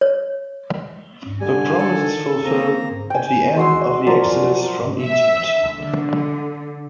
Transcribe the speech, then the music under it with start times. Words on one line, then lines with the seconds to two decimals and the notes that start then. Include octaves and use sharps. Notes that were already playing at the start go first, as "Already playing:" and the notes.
The promise is fulfilled at the end of the Exodus from Egypt.
0.01 C#5
1.41 D3 G3 G#5
1.78 D#3 A4
2.45 A#3 C4 A#5
3.10 G5 G#5
3.57 G#3 F#4 C6 E6
4.07 F3 F#3 A#4 D5
5.02 E5
5.75 D3